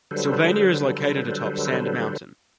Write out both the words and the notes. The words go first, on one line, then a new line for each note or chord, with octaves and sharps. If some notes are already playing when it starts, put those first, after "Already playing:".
Sylvania is located atop Sand Mountain.
D3 F#3 G3 A4 B4 C5